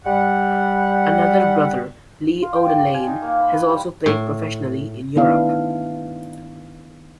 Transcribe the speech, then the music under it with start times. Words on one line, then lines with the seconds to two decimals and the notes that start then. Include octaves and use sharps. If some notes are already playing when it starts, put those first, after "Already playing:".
Another brother, Lee Odelein, has also played professionally in Europe.
0.05 G3 F#5
2.42 F4
2.55 G5
2.68 D5
2.79 G4
2.94 G#5
3.07 D#4
3.22 A#3
3.40 B5
3.53 B4
3.69 G3
4.06 A2
5.16 D#3 A3 B3 D4 E4 F5